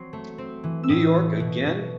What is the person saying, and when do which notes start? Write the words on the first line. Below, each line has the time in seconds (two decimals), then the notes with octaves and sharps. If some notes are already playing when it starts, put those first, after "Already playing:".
New York again.
Already playing: F#3 C4 C6
0.13 A3
0.38 C4
0.64 E3
0.83 E6
0.89 A2 D#6
1.14 A3
1.40 B2
1.66 B2